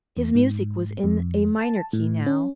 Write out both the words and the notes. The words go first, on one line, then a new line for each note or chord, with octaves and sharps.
His music was in a minor key now.
E2
G#2
F2
A5
A2
C#4